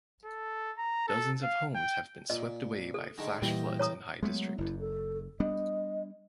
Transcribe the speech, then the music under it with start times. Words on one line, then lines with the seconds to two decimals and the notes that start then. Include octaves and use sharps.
Dozens of homes have been swept away by flash floods in Hai District.
0.25 A4
0.78 A#5
1.08 A4
1.43 F5
1.75 G5
2.30 A#2 D#5
2.94 A4
3.18 D3 D#3 G#3
3.42 E2 A#2 G3 D#5 G5
3.79 C#5 A#5 D#6
4.23 F#3 G#3 A3 B3
4.58 F#1 F#2 E4
4.80 A4
5.40 G3 B3 D4 D#5